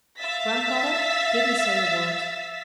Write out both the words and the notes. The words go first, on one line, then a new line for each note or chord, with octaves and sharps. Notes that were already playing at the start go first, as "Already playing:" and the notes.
Grandmother didn't say a word.
E5 F5 E6 A6 B6